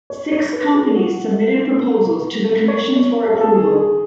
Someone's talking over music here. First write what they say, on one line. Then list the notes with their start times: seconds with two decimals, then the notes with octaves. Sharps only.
Six companies submitted proposals to the commission for approval.
0.10 C#5
0.32 C#5
0.53 B4
0.74 G#4
0.96 F#4
2.68 C#5
2.96 C#5
3.25 A4
3.33 G#4
3.41 A4
3.54 G#4
3.75 G#4